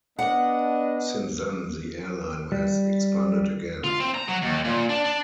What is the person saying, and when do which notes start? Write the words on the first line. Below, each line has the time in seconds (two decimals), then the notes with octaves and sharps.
Since then the airline has expanded again.
0.19 B3 D4 D#5 F#5
2.52 G3
3.84 F4
4.00 C4
4.14 A#5
4.28 F#3
4.42 D#2
4.64 A#2
4.89 D4
5.04 D4